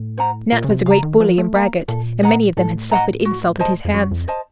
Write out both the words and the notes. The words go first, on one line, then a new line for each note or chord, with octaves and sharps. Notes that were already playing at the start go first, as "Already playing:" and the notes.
Nat was a great bully and braggart, and many of them had suffered insult at his hands.
Already playing: A2
C5 F#5 A#5
A#2 A#4
C#3
C3
C#3 F5 A#5
D#3
F3 A#4
A3
A#3 F5 A#5
A#2 A4
D#5 F#5 A#5
A2 A4
D#5 F#5 A#5
F#4
C5 D#5 A5
F2
F#2 F#4
F2
C5 D#5 A5